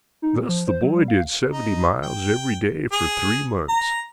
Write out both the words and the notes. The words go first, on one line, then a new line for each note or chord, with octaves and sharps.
Thus the boy did seventy miles every day for three months.
D#4
A#2
F3
C5
F#3
G3
F5
D#4
G5
G#4
A#5